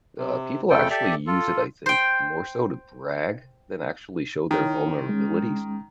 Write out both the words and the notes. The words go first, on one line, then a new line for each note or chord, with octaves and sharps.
uh, people actually use it, I think, more so to brag than actually show their vulnerabilities.
C3
F2 C#3 A3 A4 G5
G4 A4 D5 E5
F4 A4
C5 G5
D#3 E4 C#5
G#3 C#4